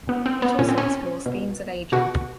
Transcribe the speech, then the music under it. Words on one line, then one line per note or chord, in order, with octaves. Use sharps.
It also explores themes of aging.
B3
C4
B3
A#2 C#4
C4
C#4
B2
B2 F#4